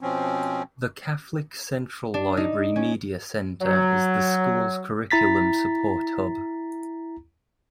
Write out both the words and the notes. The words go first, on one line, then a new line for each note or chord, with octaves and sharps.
The Catholic Central Library Media Center is the school's curriculum support hub.
B2 F3 C4 C#4
D4
D#4
C#4
F#3
E4 A#5 A6 B6